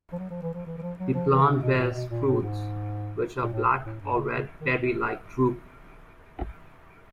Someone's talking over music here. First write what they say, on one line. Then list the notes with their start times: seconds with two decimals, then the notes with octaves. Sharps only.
The plant bears fruits which are black or red berry-like drupe.
0.12 F3
0.19 F#3
0.30 F3
0.43 E3
0.54 F3
0.66 E3
0.78 E3
0.82 F3
0.99 F#3
1.14 F3
1.30 E3
1.42 C#3
1.47 C3
1.62 B2
1.78 A#2
1.94 B2
2.11 A#2
2.26 A2
2.42 G#2
3.43 A#2
3.53 A2
3.85 A2
4.01 G2
4.17 C#3
4.34 C#3
4.61 D#3